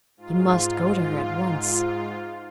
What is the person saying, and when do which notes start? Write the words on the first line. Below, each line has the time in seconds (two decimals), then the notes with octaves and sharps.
He must go to her at once.
0.17 G#2 F4